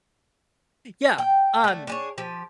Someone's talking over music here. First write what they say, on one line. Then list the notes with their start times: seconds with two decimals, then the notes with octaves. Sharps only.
Yeah, um
1.18 G5
1.64 D3 A3
1.87 D4 G#4 C#5
2.18 F3 G4